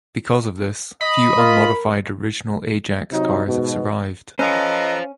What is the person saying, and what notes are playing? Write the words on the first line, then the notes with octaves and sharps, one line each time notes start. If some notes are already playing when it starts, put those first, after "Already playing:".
Because of this, few unmodified original Ajax cars have survived.
D#5 B5
F4 A#4
C3 F#3 D#4
G#2 B2
C#4 A4 B4 C5 D#5 F5 A#5